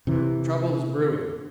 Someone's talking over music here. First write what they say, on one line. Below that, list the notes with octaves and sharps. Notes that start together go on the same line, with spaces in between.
Trouble is brewing.
C3 E3